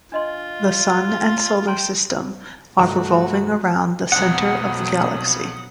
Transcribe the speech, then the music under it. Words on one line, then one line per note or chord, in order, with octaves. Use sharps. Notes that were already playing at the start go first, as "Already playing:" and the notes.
The Sun and Solar System are revolving around the center of the Galaxy.
D4 F4 D#5 C6
G5 A#5 C6
G2 C3 D#3 A3 D#4 F#4 F#5
B1 F2 B2 F#3 F#5 D#6